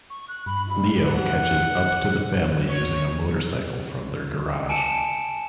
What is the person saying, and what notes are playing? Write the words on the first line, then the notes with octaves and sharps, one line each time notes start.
Leo catches up to the family using a motorcycle from their garage.
C#6
F#6
G2 B5
B5
F#5
C#5
G#5 A5 C#7 D7 E7